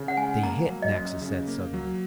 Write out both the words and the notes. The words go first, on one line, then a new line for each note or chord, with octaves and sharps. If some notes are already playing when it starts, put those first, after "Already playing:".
"They hit!" Naxa said suddenly.
Already playing: C#3
F#5
G#3 G#5
A#3 A#5
F#3
D#5
F#2
C#3
A#3
F#3